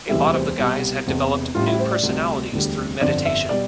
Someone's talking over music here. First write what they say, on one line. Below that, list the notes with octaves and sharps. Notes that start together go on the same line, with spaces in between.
A lot of the guys had developed new personalities through meditation.
E1 D2 C3 E3 G3 E5
C5
C2 B2 G3
E1 E2 C3
A1 A2 G3 F4
E4
C5
D5
D2 C3 G3
E1 D2 D3 G3
G1 F2 D3 F3 D5
E5
B2 G3 D5